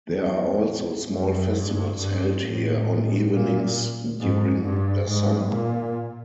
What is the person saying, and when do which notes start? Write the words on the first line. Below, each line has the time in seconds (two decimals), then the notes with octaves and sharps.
There are also small festivals held here on evenings during the summer.
0.23 E2
1.11 F#2
1.56 G2
1.99 G2
2.43 A2
3.31 A#2
4.20 G#2
4.64 G2
5.08 G#2
5.53 A#2